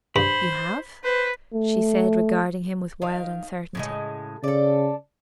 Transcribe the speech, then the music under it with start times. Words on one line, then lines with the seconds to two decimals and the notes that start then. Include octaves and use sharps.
"You HAVE?" she said, regarding him with wild uncertainty.
0.16 G2 C5 B5
1.04 B4 C5
1.54 A3
3.02 D#3 F5
3.75 A2 C#3 G#3
4.44 C#3 A4 D5